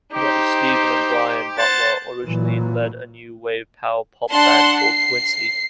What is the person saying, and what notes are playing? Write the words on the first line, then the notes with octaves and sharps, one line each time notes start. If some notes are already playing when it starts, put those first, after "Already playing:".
Brothers Stephen and Brian Butler originally led a new wave-power pop band called Quincy.
D#4 G4 C5
C5 F#5 A5 A6
A#2 E3 F#3
D4 F#5 A5 C6
C7